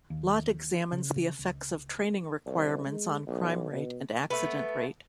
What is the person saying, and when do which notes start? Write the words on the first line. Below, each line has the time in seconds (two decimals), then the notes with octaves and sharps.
Lott examines the effects of training requirements on crime rate and accident rate.
0.10 D#2
0.92 C#3
1.39 C#2
2.46 C2
2.86 G#3
3.27 B1
3.71 B2
4.30 A3 B3